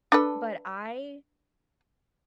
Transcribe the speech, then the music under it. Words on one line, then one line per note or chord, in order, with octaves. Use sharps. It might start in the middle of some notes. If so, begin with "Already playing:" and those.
but I
D4 A4 B4